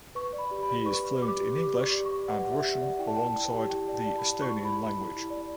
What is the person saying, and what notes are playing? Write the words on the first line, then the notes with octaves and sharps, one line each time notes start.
He is fluent in English and Russian alongside the Estonian language.
B4 C#6
D5
B5
G4
B5
D5
B4 C#6
B4
G4 D6
G4
G4 D6
D5
C#6
G4
C#6
D5
B4 F#5
G4
E5
G4
F#5
D5
E4 G5
A5
D5 G5
E4
G4
E4 G5
D5
A5
D5
B5
D5
E4 C#6
E4
B5
E4
E4
E4
D5